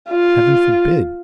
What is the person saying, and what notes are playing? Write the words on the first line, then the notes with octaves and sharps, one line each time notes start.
Heaven forbid!
F4